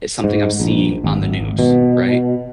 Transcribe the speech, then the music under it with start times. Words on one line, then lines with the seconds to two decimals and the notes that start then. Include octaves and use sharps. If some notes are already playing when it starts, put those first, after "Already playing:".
it's something I'm seeing on the news, right?
0.24 G#2
0.60 A#1
1.04 G#1
1.59 B2